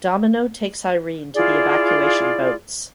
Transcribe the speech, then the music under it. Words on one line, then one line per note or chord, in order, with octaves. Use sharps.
Domino takes Irene to the evacuation boats.
E4 F4 G#4 D5